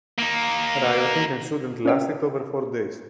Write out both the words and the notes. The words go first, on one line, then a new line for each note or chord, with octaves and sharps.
Rioting ensued and lasted over four days.
A#3 D#4
C#4 A#4 B4 C#5 E5 G5